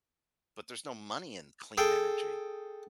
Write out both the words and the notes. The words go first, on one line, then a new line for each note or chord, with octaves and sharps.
but, there's no money in clean energy.
G#4 A4 G5